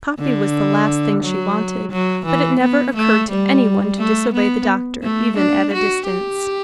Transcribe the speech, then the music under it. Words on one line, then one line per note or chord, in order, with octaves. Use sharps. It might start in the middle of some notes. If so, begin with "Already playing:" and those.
Coffee was the last thing she wanted; but it never occurred to any one to disobey the doctor, even at a distance.
D3
F#3
F#3
E3
B3
A3
G3
A3
B3
A3
D4
F#4
G4